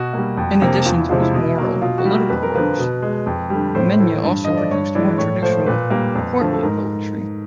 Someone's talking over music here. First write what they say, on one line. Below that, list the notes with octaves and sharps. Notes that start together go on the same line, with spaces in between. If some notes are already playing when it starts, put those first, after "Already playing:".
In addition to his moral-political works, Mena also produced more traditional courtly poetry.
Already playing: B2 F#4
G3 A#3
F2
C3 F3 A#3
E2 F4
E4
C3 F3 G#3 F4
E4
B2
F#3 A#3
B2 F4
F#4
G3
A#3
F2 B4
A#4
D3 F3 B4
B2
G#3
F2
D3 G3
A2 C5
E3 A3
G2
D3 F3 D#5
D5
G2 C#5
E3 G#3 D5
A2 C#5
F3 A3 C5
A#2 B4
G3 A#3
F2
D3 F3 A3
A4
G#2 A#4